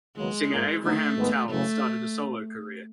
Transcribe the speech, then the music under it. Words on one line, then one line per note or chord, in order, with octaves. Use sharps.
Singer Avraham Tal started a solo career.
D#2 C#3 F#3 G#3 B3
G#2 F3 A#3
D#2 D3 F#3 A3 B3 D#4
G#1 G#2 D#3 G#3 B3
F#1 F#2 C#3 A3